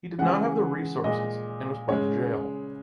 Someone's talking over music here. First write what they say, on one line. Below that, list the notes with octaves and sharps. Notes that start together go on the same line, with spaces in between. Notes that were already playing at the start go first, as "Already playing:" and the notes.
He did not have the resources and was put in jail.
C#3 E3 G#3 F#5
A#2 G#3 D#5
C#3 G#3 C#5